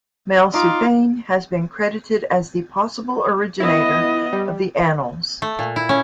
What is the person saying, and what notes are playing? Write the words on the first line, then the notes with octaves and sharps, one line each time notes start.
Maelsuthain has been credited as the possible originator of the "Annals".
D#4 F4 D6
B3 E4 D#5
G3
A3
A#2
E4
C#4